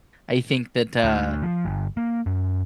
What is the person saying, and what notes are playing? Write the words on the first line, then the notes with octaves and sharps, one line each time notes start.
I think that, uh,
D2
F3
G1
A#3
F#2